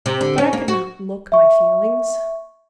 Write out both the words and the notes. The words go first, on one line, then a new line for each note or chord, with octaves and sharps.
But I could not look my feelings.
C3
D3
C#4
A#3
F#4
E5 C#6